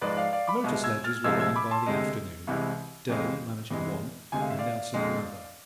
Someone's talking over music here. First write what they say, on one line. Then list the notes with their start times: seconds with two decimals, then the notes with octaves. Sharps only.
The motor sledges were running by the afternoon, Day managing one and Nelson the other.
0.01 G#2 F3 G#3 B4 D5
0.17 D5 F5
0.33 D5 F5
0.47 B5 D6
0.64 C2 B2 G#3
0.84 E6 G#6
1.04 F6 A6
1.24 C2 C3 F3 G#3 E6 G#6
1.40 E6 G#6
1.56 B5 D6
1.71 A5 C6
1.86 D2 C3 G#3
2.47 C2 C3 E3 G#3
3.09 F2 C3 E3 G#3
3.71 E2 C3 E3 G#3
4.32 D2 C3 G#3 G#5
4.41 F5
4.50 E5
4.59 D5 F5
4.94 F2 D3 G#3